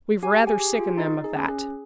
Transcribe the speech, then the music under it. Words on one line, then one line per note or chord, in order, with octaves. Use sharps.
We've rather sickened them of that.
G4 G#5
G#4
G#5
G4
G#4
F4
D#4 D#5
G#4
C#4
G#4